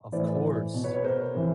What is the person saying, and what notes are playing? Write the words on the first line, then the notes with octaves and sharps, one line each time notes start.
Of course.
A2 E3 C5 D5
C5 D5
B2
B4 C#5
B4 C#5
A#4 C5
C3 E3